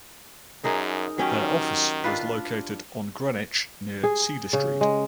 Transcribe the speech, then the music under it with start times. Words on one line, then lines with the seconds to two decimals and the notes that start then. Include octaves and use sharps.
Their office was located on Greenwich near Cedar Street.
0.64 F#2 D#4 G#4 A#4
1.18 D#3 F#3 C#4 G4
2.04 D4 F4 B4
4.04 G#4
4.53 C#3
4.81 G#3